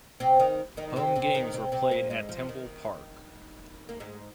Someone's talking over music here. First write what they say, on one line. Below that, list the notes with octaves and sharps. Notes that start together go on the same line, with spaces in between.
Home games were played at Temple Park.
C3 C4
D#3 D#4
D#3 D#4
C3 C4
C3 C4
D#3 D#4
C3 C4
C3 C4
A#2 A#3
G#2 G#3
F3
D#3
A#3
G#2 G#3